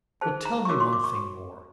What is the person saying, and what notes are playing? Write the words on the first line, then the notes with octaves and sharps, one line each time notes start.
But tell me one thing more.
D#4 G#4 C5 A5
A#5
C#6
F#4 A#4 C#5 D6
C6
D6
C#6